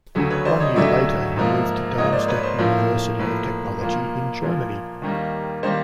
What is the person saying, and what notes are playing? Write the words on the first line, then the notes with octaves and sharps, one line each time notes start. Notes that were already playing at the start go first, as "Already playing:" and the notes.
One year later, he moved to the Darmstadt University of Technology in Germany.
D2 C#3 F#3 A3
B4 C#5
C5 D5
C#5 D#5
D2 C#3 F#3 A3 D5 E5
G#2 F3 A#3
G#2 F3 A#3 C#5 D#5
C5 D5
B4 C#5
C5
A2 F3 A#3
A2 F3 A#3 B4
A#2 F3 A#3
A#2 F3 A#3
D#2 D#3 G3 A#3
D#3 G3 A#3 C5